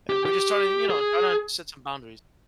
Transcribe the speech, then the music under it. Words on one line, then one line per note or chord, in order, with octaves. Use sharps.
And we're just starting, you know, trying to set some boundaries.
G4
G4
G#4